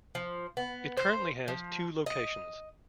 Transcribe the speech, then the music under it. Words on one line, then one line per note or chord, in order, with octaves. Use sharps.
It currently has two locations.
F3
B3
C5
F3
D#5